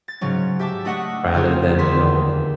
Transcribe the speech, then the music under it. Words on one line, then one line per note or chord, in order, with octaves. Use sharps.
rather than, you know,
A6
G#2 C#3 F#3 C#4
G4 E5 A5 D6
A3 D4 D#5 F#5 C#6
C#3 D#4 F4 G4 G#4
D#2 D3 G#4 C6 B6 E7